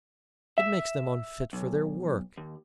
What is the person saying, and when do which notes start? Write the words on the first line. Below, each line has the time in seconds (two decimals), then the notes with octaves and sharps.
It makes them unfit for their work.
0.58 E5
1.53 B1
2.38 D#2